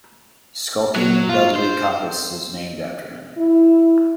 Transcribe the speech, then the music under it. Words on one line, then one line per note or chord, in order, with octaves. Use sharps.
Skulking Dudley Coppice is named after him.
F#3
F4
C5
E4